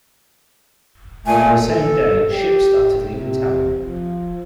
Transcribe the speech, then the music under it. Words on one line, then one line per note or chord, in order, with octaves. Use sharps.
On the same day ships started leaving Tallinn.
A#2 A3 G#5
A4
G4
C3
F3